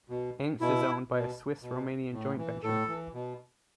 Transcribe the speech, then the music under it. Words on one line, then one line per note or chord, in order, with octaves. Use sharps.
Angst is owned by a Swiss-Romanian joint venture.
B2
B2 E4
B2
B2
A2
E3
A2 A4
E3
B2